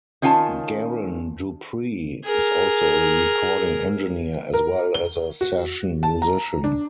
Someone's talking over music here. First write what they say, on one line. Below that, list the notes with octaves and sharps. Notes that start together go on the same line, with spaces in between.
Garron DuPree is also a recording engineer as well as a session musician.
D#3 C#4 F4 G#5 A5
G#4 A#4
A#4
G7
F#4
A5
A#5
D4